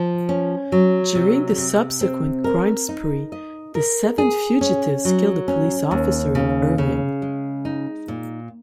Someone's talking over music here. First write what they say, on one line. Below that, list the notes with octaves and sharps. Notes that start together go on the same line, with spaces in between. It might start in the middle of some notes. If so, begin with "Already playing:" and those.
During the subsequent crime spree, the seven fugitives killed a police officer in Irving.
Already playing: F3
C#4
F#3
C3
C3
C4
A#4
D#4
D#5
A#4
G#4
C#4
F#3
C#4
D#2
C#3
C#3
G#3
D#4
A#2